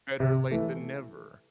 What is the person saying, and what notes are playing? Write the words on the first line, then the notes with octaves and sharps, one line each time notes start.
Better late than never.
C3
E3 A3